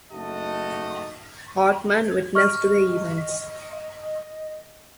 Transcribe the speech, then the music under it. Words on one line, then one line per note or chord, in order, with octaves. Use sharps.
Hartmann witnessed the events.
F#1 A3 D#4 F#4 D#5 A5
D#5 C#6 F6